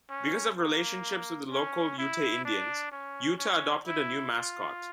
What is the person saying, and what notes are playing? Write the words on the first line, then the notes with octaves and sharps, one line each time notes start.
Because of relationships with the local Ute Indians, Utah adopted a new mascot.
C#4
A#3
C#4
E4
D4
C#4
C#4
E4
F4